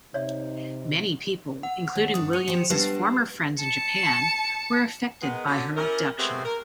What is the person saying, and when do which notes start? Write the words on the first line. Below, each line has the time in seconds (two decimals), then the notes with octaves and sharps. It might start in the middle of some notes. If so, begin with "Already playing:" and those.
Many people, including Williams' former friends in Japan, were affected by her abduction.
0.14 C3 D#4 C#5 D5 E5
1.63 F#5
1.95 D#2
2.14 G2 D4 D#6
2.33 F#4 C#7 D#7 F7
2.48 F3 G4 C#7 E7
2.70 G3 B3 D4 G4 B4 C7
3.59 A5 C#7
5.22 D#3 G#3 B3
5.46 D3 F#3 C#4
5.77 G3 C#4 E4 A#4
6.19 C#3 G#3 A3 B3 C4 G4
6.45 A#4